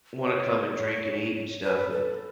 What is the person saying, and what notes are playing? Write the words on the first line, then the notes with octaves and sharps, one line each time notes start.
wanna come and drink and eat and stuff. And,
C#5
B4
A4